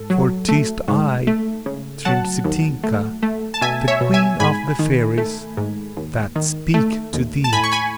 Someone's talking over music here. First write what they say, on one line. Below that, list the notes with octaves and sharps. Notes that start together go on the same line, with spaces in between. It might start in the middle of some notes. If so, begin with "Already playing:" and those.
For 'tis I, Tripsitinka, the Queen of the Fairies, that speak to thee.
Already playing: G#2 A4
F#3
A3
G#2
A3
C#3
F#3 F#5 A5
D#2
A3
A3
A5
B2 E5 G#5
C#5 E5
B2
E5 G#5
G#2 G#5 B5
D#3
A3
G#2
D#2
D#3
A3
D#2
A5
A2 G#5 B5
C#6
G#5 B5